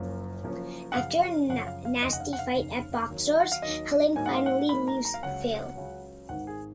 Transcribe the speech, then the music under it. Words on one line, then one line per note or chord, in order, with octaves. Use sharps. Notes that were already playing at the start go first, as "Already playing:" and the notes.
After a nasty fight at Boxers, Helen finally leaves Phil.
Already playing: F#1 F#2 F3 A#3 C#4
F#1 F#2 F3 A#3 C#4
F#5
F#2 C#3 F3 F5
F#2 C#3 F3 F#5
F5
F5
F1 D#2 C#3 D#5
F#5
F5
F#5
F5
F1 D#2 C#3
D#2 D#3 F#3
F#5
F5
D#2 D#3 F#3 D#5
G#2 F#3 A#3 D#4 G#5
F#5
F5
F#5
G#2 F#3 A#3 D#4 B5
A#5
A#5
F5
C#2 C#3 F#3 C#4 F#5
C#2 C#3 F#3 C#4
G#1 G#2 D#3 F#5
G#4